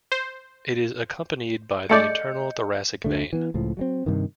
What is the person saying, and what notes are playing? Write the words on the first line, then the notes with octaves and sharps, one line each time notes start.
It is accompanied by the internal thoracic vein.
C5
G#3 A3 D5 D#5 G6 C#7
D2 D3 A3
E3 B3
C#2 A2 F3
F#3 G3 C4
G2 C3 D#3